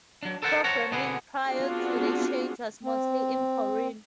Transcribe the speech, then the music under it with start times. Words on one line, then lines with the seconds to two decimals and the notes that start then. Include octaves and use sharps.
Programming prior to the change was mostly in Korean.
0.23 F#3 D4
0.42 A4 A#4 C5 F#5 A5
0.64 C5 C#5 F#5 A5 A#5
0.92 B2 D3 B3 G#4
1.47 B3 C4 D4 F4 F#4 G#4
2.84 C4